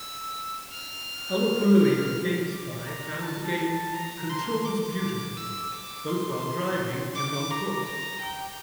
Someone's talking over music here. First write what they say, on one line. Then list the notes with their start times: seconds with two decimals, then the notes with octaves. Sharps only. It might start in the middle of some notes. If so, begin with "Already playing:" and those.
Alupului of GameSpy found the game "controls beautifully", both while driving and on-foot.
Already playing: E6
0.73 F6
1.80 F6
2.51 D6
2.86 A#5
3.23 A5
3.94 A#5
4.29 C6
4.65 D6
5.37 E6
5.72 D6
6.08 C6
7.15 D6
7.51 A#5
7.86 A#5
8.22 G5